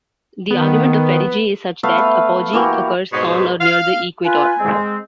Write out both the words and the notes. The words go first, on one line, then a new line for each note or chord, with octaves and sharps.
The argument of perigee is such that apogee occurs on or near the equator.
D#3 B3
A3 B3 E5 F5
B4
E3 A#3 F#4 G4
G#2 B2 C#5
F5
F4 B4 G#5
G#3 C4